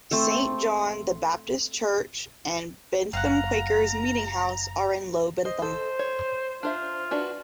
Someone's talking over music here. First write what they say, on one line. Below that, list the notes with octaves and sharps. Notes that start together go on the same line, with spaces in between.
Saint John the Baptist Church and Bentham Quakers Meeting House are in Low Bentham.
A3 C4 A4
F#1 F5 F#5 A#5
C5 D#5
A4 C5
C#5
D4 F4 C5 E5
D4 F#4 B4